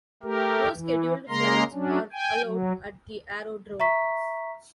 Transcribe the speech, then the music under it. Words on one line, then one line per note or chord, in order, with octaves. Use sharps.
No scheduled flights are allowed at the aerodrome.
A3 G4 A#4
E3
C#3 G#3 A#3 A#4 A#5 C6
F#3 C#4 D4
G5 G#5
F#3
E5 A#5 C#6 B6